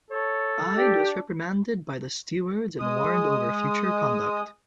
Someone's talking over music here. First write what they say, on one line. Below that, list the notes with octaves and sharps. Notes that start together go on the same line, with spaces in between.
Ide was reprimanded by the stewards and warned over future conduct.
A4 C#5
D4 G4
G#3 D#6